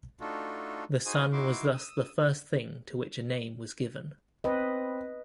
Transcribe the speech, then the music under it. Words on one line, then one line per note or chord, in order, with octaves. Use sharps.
The sun was thus the first thing to which a name was given.
A3 D4 D#4 F4 F#4 A4
D#4 F#4 G#4 C5 G#5
D#4 E4 F#4 E5 C6 D6
D#6 E6
C4 B4 D#5